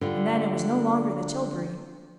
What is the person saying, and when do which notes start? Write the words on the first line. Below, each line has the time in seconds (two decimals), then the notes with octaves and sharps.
And then, it was no longer the tilbury.
0.01 D3 G3 F4